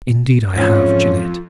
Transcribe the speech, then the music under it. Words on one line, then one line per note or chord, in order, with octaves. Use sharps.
"Indeed I have, Jeannette."
F2 G#2 E3 C#4 F4